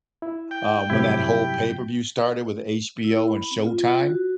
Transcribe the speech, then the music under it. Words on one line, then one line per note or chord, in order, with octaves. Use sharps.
Um, when that whole pay-per-view started with HBO and Showtime.
E4
G5
G2 C3 F#3 E4 G4
E4
B5
C4
F4
F#4